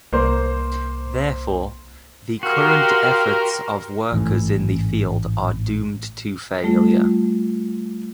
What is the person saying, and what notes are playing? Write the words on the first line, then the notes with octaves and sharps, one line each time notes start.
Therefore, the current efforts of workers in the field are doomed to failure.
C2 A#3 C5
F#4 G4 A#4 F5 C6
A1 G#2 E3 A3
G3 A3 F4